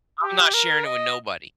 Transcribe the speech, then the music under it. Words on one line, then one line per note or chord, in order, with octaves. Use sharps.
I'm not sharing it with nobody.
G4
A#4
D#5